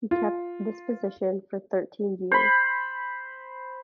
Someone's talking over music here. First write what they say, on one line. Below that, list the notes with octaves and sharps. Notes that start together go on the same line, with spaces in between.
He kept this position for thirteen years.
F4
C5 B5